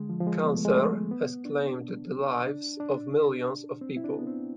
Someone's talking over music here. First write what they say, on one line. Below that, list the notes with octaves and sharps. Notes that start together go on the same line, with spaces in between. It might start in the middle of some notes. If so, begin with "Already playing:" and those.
Cancer has claimed the lives of millions of people.
Already playing: D3 G#3
F3
F3
G#3
B3
A3
G#3
A3
B3
D4
D4
D4
C4
E4
D4
B3
C4